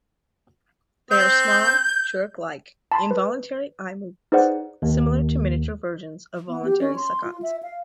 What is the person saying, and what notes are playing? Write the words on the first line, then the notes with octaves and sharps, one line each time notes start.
They are small, jerk-like, involuntary eye movements, similar to miniature versions of voluntary saccades.
C4 G6
A5 B5 C6
B4
D#4 G#4 B4 C5 D5 F#5
D#2
B3
G4
C#4
C6
F4
E5
F5